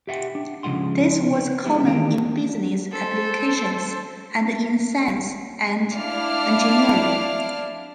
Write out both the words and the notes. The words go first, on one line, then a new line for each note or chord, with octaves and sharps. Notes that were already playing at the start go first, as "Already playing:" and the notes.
This was common in business applications and in science and engineering.
G4 E5 F#5 G5
D4
C#2 C#3 F3 G#3 F#5 C6
B3
G#3 B3 E4 G4
D#3 E3 A#3 G4 A#4
A4 C5
D4 E4 D5 F5 F6